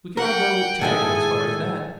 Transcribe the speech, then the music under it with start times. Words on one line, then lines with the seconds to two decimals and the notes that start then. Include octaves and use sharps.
We can all go together as far as that.
0.17 A#4 F#5 G5
0.81 A2 D#3 G#3 G#4 A4 G#5